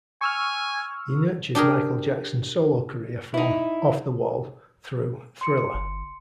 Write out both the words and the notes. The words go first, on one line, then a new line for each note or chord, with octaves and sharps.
He nurtured Michael Jackson's solo career from "Off the Wall" through "Thriller".
G#5 C#6 E6 F6
D4 G4 G#4 A#4
D#4 E4
C6 C#7
G1